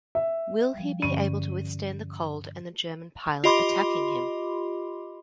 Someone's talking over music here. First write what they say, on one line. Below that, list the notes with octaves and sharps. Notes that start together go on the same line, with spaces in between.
Will he be able to withstand the cold and the German pilot attacking him?
E5
F3 G3
G2 D3 C#4 D#7
F4 G4 D#5 B5 C6 D6